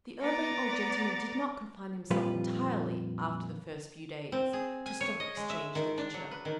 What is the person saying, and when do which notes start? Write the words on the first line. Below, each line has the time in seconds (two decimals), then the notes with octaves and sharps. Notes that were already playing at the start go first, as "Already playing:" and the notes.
The Urbane Old Gentleman did not confine himself entirely, after the first few days, to Stock Exchange literature.
0.21 B3 D5 A#5 D6 A6
2.11 F2 A#2 G3 F4 B4
4.32 C4
4.53 G#4
4.86 G#5
5.01 C#5
5.20 D#5
5.37 G#3
5.50 E5
5.75 D#3
5.98 D4
6.14 F#3
6.31 B4
6.45 D#3